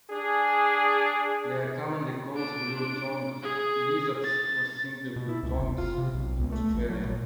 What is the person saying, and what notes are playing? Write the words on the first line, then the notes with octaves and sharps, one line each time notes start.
They are commonly called blue-tongued lizards or simply blue-tongues in Australia.
D4 G#4
D4 D7
G#4
A6
B2
E4
C#2
F#1
F4
C3
B1
C#2
A3
A1
F#3
A#2